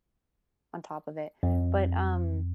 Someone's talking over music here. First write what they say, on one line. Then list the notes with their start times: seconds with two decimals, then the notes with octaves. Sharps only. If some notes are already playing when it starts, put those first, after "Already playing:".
on top of it. But, um,
1.43 F2